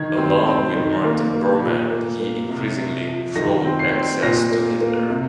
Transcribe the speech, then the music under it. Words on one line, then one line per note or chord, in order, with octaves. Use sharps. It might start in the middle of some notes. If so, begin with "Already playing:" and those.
Along with Martin Bormann, he increasingly controlled access to Hitler.
Already playing: D#3 G#6
C4
C4
D#3
A#3
A#3
A#2
A#3
A#3
C3
C3
F3
D#3 A#6
C4
C7
C4
A#2 A#6
A#3
A#3
C3